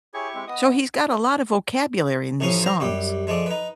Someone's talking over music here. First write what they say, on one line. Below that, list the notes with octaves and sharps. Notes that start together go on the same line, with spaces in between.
So he's got a lot of vocabulary in these songs?
E4 G4 G#4 C#5 C#6
G#3 C4
B3 D#5 D#6
A1 A2 F3 C#4 F5 D#6
C5 A#5
F#2 G3 G4
F3 G#3 A3 D5
D#4 B4